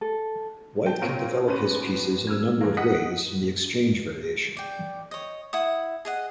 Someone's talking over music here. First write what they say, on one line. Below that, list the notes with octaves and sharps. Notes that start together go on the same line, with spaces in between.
White can develop his pieces in a number of ways in the Exchange Variation.
A4
G5 A5
A#2 A#3 C4 C#5 D7 D#7
D2 B3 C#4 C5 D#7
E6 F6 G#6
E3 A#3
D#5 F#5 D#6 B6
D5 G5
C#5 D#5
E4 F#5 D#6
G#4 D#5 F#5